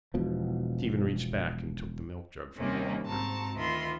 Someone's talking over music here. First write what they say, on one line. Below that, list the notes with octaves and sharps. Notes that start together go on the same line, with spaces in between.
Stephen reached back and took the milkjug from the locker.
E1 B2 F3
C3 D#3 G3 A#3 C4 C#4
G#2 C4 F#4 A5 A#5
D2 D#3 F4 E5 B5 C6